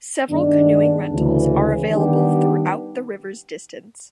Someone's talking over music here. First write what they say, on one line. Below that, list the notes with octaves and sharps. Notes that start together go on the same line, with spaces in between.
Several canoeing rentals are available throughout the river's distance.
G2 D#3 G#3 B3 D4
D2 C#3 E3
D#3 G3 B3 D4 G4